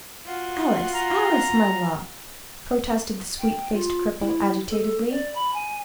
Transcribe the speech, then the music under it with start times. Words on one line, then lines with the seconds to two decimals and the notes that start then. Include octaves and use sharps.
"Alice, Alice, my love!" protested the sweet-faced cripple, agitatedly.
0.25 F4 F#4
0.95 A#5
3.39 G5
3.73 F4
4.20 E4
4.69 A4
5.10 D5
5.35 B5
5.53 G#5